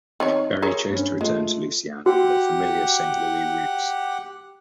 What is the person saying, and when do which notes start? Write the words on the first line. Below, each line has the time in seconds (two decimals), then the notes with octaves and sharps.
Berry chose to return to Lucy Ann and her familiar Saint Louis roots.
0.20 D#3 C4 C#5
0.62 G#4 A#4 C#5
0.90 G2 C#4
1.21 G#3 A3 F4
2.06 F#4 G4 F#5